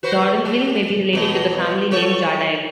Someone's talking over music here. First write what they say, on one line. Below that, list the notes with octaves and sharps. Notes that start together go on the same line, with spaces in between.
Jordanhill may be related to the family name "Jardine".
F#4 B4 C5
G3
E2 B2 D#5
F#4 A4 C#5